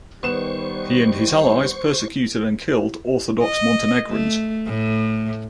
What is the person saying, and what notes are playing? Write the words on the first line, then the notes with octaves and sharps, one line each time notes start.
He and his allies persecuted and killed Orthodox Montenegrins.
D#3 G3 B3 C5 C#6 E7
D#5
A3
A2